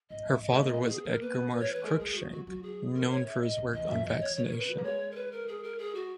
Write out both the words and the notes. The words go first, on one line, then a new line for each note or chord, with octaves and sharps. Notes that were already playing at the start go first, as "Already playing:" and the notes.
Her father was Edgar Marsh Crookshank known for his work on vaccination.
G#2 D#5
G#2 E5
E3 D#5
G#3 E5
A#3 D#5
B3 D#5
F#4
G#4
B3 A#4
A#3 B4
B3
C#5
E3
B4
G#3 A#4
G#3 G#4
F#4
G#3
F#3 F#4
F#3 F#4
G#4
D#3 A#4
C#5
C#3 E5
D#5
C#3
E2 D#5
F#2 E5
E2
D#5
E3 C#5
C#3 C#5
B4
B2 A#4
B4
F#3
A#3
G#3 C#5
A#4
B4
A#4
G#4
A#4
G#4
F#4